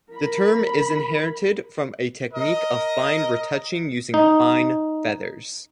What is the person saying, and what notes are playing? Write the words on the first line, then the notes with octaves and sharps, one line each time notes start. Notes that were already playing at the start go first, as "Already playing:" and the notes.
The term is inherited from a technique of fine retouching using fine feathers.
A#4 B5
A#4 D#5
D#4